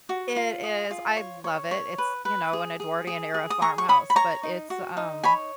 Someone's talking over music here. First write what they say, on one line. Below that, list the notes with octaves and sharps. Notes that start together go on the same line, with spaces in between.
It is, I love it. It's, you know, an Edwardian-era farmhouse, but it's, um
F#4
F4
G#4
F4
C#5
C#5
C#5
B4
B4
G#4
G#4
G#4
G#4
D#6
G#4 A#5 C#6
C#6
C#5 B5 D#6
B5
C#5 A#5 C#6
D#4
F#4
D#4
C#5 G#5 B5